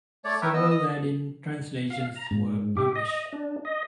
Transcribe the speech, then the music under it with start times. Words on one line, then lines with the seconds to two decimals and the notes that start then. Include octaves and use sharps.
Several Latin translations were published.
0.24 A3 C#5 D5
0.42 A#4 B4 C#5 E5 G5
0.53 B3 D#5 E6
0.70 D#5 D#6
1.90 F5
2.16 A#5
2.31 G#2
2.77 G4
2.95 D#5
3.33 D4
3.65 D#5